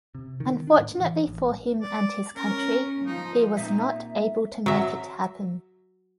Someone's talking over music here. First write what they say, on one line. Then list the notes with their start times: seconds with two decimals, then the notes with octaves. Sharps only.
Unfortunately for him and his country, he was not able to make it happen.
0.15 C3
0.40 D#3
0.67 D4
0.79 A2
1.01 E3
1.27 A1
1.81 D5
2.37 C#4 A#4
3.06 F3 D#4
3.57 A#2 C4 D#4 E5
4.66 F#3 E5